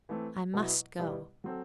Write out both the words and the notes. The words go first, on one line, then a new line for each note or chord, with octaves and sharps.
I must go.
E3 A3 C4
B2 F#3 B3 E4
B2 G3 B3 E4
F#3 C4 F#4 A4